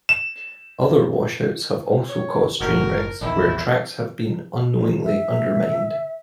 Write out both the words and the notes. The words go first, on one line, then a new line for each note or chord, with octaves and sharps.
Other washouts have also caused train wrecks where tracks have been unknowingly undermined.
E7
C#5
F#1 A2 F#4 A#4
A#1 E2 D#3 E4
E5